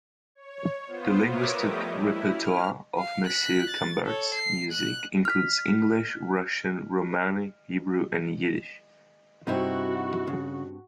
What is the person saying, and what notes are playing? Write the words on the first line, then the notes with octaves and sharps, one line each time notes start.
The linguistic repertoire of Monsieur Camembert's music includes English, Russian, Romani, Hebrew and Yiddish.
C#5
B3 F4 C5
A#4 B4 C#5 E5 D6 D#6
F3 G3 A3 G4 D#5
E4
F6
F5
F#6 B6
A6
A4 C#5
C7
F#6
F6 B6
G2 C3 C4 D#4 E4 F#4
C#3